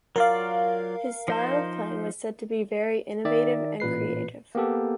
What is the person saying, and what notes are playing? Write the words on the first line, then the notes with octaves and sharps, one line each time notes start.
His style of playing was said to be very innovative and creative.
F#3 F4 A#4 D5 F5
F3 D#4 C5
D#3 D5 E5
A1 A#2 B4 C7
A#3 B3 G4 A4